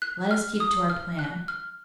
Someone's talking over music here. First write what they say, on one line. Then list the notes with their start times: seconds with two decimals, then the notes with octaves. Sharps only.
'Let us keep to our plan.
0.02 F#6
0.31 F6
0.60 D#6
0.90 F6
1.19 F#6
1.48 F6